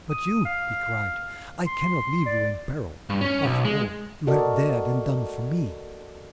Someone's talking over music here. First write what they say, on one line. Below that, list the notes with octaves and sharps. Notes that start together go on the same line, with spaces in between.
"But you?" he cried; "I cannot leave you in peril, after all you have dared and done for me."
D#6
F5
C6
D5
G2
C#4
B1
G#3
F#4 A4 A#4 D5 D#5